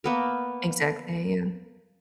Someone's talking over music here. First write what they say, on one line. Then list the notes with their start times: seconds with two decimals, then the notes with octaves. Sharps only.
Exactly, yeah,
0.04 A#3 B3 A#4